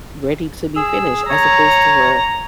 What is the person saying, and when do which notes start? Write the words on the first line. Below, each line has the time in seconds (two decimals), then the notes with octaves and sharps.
ready to be finished, as opposed to a
0.76 G#4 E6
1.29 C#5 A#5